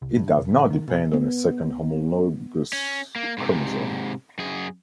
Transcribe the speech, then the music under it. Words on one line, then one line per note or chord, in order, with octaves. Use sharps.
It does not depend on a second homologous chromosome.
C2
G2
E1
A1
D#3
B2
B3
C#4
A#3
G#2 C3
F#2 G#4